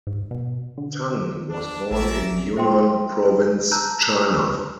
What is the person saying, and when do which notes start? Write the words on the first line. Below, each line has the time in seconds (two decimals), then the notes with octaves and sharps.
Tang was born in Yunnan province, China.
0.07 G#2
0.31 B2
0.78 D3
1.50 D4
1.91 A1 A#4 D5 E5
2.56 C5 E5 G5 C6
3.71 A5 A#5 E6 F#6 G6